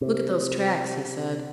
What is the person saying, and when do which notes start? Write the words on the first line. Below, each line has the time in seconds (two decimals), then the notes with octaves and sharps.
"Look at those tracks," he said.
0.01 C3